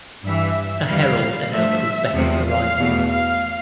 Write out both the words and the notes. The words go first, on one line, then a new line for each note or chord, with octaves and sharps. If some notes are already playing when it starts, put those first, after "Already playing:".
A herald announces Becket's arrival.
G2 E3 G3 E5
F2 E3 G3 F5
G2 F3 A3 E5
E2 C3 F3 A3
F5
E2 B2 A3
F5